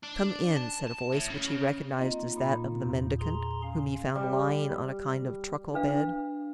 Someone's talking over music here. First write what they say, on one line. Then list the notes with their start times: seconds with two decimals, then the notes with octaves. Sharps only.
"Come in," said a voice which he recognized as that of the mendicant, whom he found lying on a kind of truckle bed.
0.03 D4
0.57 A5
0.87 A5
1.12 A2
1.30 C#3
1.98 A#3 C4 D#4 F4 D#5
2.36 A#2 B5
2.83 E2 A#2
3.20 G#4 A#5 C6
3.63 C#4 F5
4.15 G3
5.74 D4 B4 F5